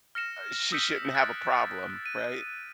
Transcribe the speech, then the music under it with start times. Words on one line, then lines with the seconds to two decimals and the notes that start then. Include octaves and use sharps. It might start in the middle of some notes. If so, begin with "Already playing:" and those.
uh, she shouldn't have a problem, right?
0.15 F6 A#6 C#7 E7
0.72 D#6 E6 G6 B6 C#7
1.14 F#6 A6 D7
2.06 D#7